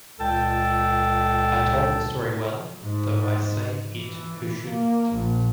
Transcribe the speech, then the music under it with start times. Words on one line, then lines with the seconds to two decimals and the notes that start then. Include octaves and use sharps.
I told the story well, though I say it who shouldn’t.
0.20 C#2 A#2 A4 G5 A5
2.84 G#2
3.93 E3
4.68 A#3
5.13 A#1